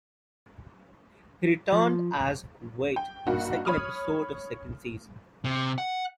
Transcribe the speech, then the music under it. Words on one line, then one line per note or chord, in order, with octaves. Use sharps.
He returned as Wade in the second episode of the second season.
F3
G5
G2 A#3 D#4 F#4
C#5 B5 D#6 F6
C3
F#5